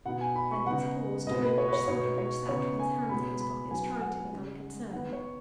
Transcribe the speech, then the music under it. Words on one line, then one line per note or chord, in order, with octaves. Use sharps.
Then there was a pause, during which Silverbridge sat with his hands in his pockets trying to look unconcerned.
B2 B3 D#4 F#5
G#5
B5
C#6
C#3 B3 D#4 F#5
B2 G#3 B3 D#5
B4
C#5
B4
C#5
B2 B3 D#4 C#5
C#5
C#3 B3 D#4 C#5
G#5
B2 G#3 B3 B5
B5
F#3 B3 D#4 G#5
G#5
F#5
C#3 G#3 D#4
D#3 B3 D#4 F#5
C#5